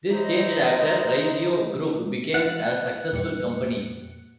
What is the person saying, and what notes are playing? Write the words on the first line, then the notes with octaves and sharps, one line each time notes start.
This changed after Raisio Group became a successful company.
D#4 E4 F#4 C5 C#5 D#5
E4 F5 F#5 A6
F2 A#2 G3 C#7